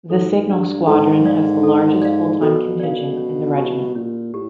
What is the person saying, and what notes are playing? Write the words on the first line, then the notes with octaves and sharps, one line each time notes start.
The signal squadron has the largest full-time contingent in the Regiment.
G#2 A4
G2 D5 F5
G#2 A4
D5 F5
A4
D5 F5
B2 A4
D5 F5
C#4
E4 G4
A#2 C#4
A2 G4